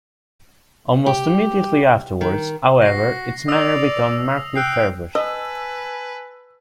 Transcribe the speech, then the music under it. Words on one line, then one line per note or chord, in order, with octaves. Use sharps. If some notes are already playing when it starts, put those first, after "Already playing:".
Almost immediately afterwards, however, its manner became markedly feverish.
G4
D#3
F#4 A#6 C7
D5 D#6 E6 F7
G5 E6 F#6 C7
B4 D#5 G#5 A5 E6